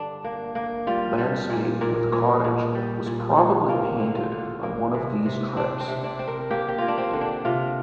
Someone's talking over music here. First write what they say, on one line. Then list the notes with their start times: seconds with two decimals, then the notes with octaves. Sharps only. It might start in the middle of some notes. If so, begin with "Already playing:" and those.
"Landscape with Cottage" was probably painted on one of these trips.
Already playing: G2 D3 D4
0.24 A#3
0.55 A#3
0.87 G3 F4
1.18 G3
1.50 A#2
1.81 A#2 A#4
2.13 A#2
2.44 A#2
2.75 G3
3.06 A#2
3.37 A#2
3.69 A#3 F4
4.00 D3
4.16 F4
4.32 D3
4.63 A#3
4.94 C3
5.26 C3
5.57 C4 D4
5.80 C4
5.88 C3
6.04 D4
6.19 C4
6.28 A#4
6.50 A#3 G4
6.68 G4
6.78 A#3 F4
6.88 D4
6.98 C4
7.13 D3
7.21 D4
7.45 C3 F4